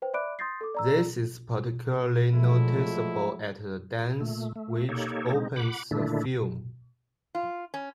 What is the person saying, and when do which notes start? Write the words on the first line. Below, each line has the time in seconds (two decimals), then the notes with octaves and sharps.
This is particularly noticeable at the dance which opens the film.
0.02 B4 C5 G5
0.14 D5 E5 B5 D6 F#6 D7
0.39 C6 D#6 G6 A6 A#6 C7
0.61 A4 D6
0.75 D5 A#5 E6
2.34 F3 F#3 G#3 A3 E4
4.21 A#2 A3
4.56 A3
4.89 A#3 D#4 G4 A4 C#5
5.34 G#3 C4 D#4
5.56 F#5 B5 D6
5.91 A#2 D3 D#3 A3 D4 E4
7.35 F4
7.74 C#4